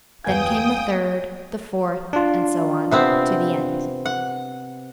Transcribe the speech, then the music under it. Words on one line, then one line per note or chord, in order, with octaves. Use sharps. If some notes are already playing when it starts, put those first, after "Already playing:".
Then came the third, the fourth, and so on, to the end.
E2 B3 F5 G5 G#5 D#6 G#6
D4 F4
C3 B3 C4
F#5